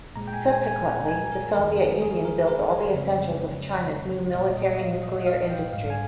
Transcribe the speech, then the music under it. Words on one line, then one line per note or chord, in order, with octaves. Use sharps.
Subsequently, the Soviet Union built all the essentials of China's new military nuclear industry.
A#2 G#3 A#5
G5
G#5
G#5
G#5
A#5
G#5
A#4
F2 D#3 G#3 A#4
G#4
G#4
A#4
A#4
C#5
F2 C#3 G#3
A#2 G3 D#5
D#5
F5
D#5
F5
G5
G#2 G3 F5
G#5